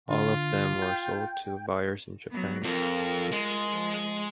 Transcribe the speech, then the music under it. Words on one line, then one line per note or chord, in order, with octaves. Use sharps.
All of them were sold to buyers in Japan.
D3 F4
G5
F#3 B3
F2 F4 A#4
G#3
F3